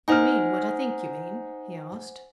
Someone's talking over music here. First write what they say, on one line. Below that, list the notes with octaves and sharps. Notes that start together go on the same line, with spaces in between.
"You mean what I think you mean?" he asked.
D#4 C5 F#5 G#5 F6